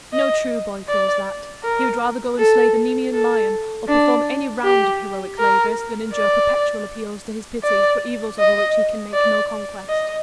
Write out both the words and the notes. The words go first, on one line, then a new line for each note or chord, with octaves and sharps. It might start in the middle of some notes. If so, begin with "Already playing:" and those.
No true boy feels that; he would rather go and slay the Nemean lion, or perform any round of heroic labors, than endure perpetual appeals to his pity, for evils over which he can make no conquest.
D#5
D5
A#4
A4
A4
D4
G4
A#4
D5
D5
D#5
D5
D#5